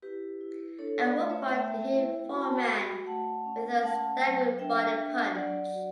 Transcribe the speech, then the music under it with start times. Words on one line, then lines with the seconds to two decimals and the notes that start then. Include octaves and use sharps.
At one point he hit Foreman with a staggering body punch.
0.02 E4 G4 B4
0.41 E4
0.78 D4 A4 C#5
1.04 B4 D5
1.17 A3
1.30 C#5 E5
1.54 A3 E5 G5
1.93 E4
2.30 F#4 B5
2.41 A5
2.52 G5 B5
2.69 F#4
3.06 A3 F#5 A5
3.45 C#4
3.83 A3 F#5 A5
4.21 F#3
4.59 D4 E5 G5
4.97 D4
5.35 F#3 D5 F#5
5.73 F#4